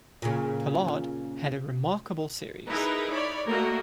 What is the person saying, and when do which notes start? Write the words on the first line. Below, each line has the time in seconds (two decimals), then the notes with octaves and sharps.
Pollard had a remarkable series.
0.22 A#2 C#3
2.69 D#4 E4 G#4 A#4 B4
3.12 C#5 D5 B5
3.47 A3 A#3 F#4 A#4 D#5